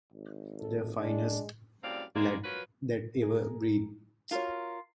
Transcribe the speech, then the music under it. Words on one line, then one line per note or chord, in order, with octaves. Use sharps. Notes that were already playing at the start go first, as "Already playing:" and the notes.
The finest lad that ever breathed!
G#1
A4
G#3 D4
F#2 A2 G3 C4 D5 F5
G3 G#3 A#3 D4 A#4 D5
F3 F#3 A#4 B4
G#4 A#4
F4 F#4 A#4 C#5